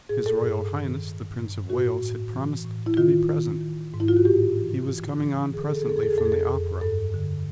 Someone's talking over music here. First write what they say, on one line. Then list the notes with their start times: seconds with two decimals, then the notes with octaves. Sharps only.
His Royal Highness the Prince of Wales had promised to be present. He was coming on presently from the opera.
0.09 A2 G#4
0.26 A4
0.41 G2 G#4
0.74 D#3
1.06 G2
1.37 G2
1.69 A2 F#4
2.01 A2
2.33 E3
2.65 A2
2.86 E4
2.97 D#3 F4
3.30 D#3
3.61 D#3
3.94 G#2
4.00 E4
4.08 F4
4.17 F#4
4.25 A2 G4
4.58 E3
4.90 E3
5.21 E3
5.53 D3 G#4
5.61 A4
5.68 G#4
5.75 A4
5.82 G#4
5.86 F2 A4
5.97 G#4
6.03 A4
6.10 G#4
6.18 F2 A4
6.26 G#4
6.32 A4
6.40 G#4
6.50 F2
6.81 G2 A4
7.14 D3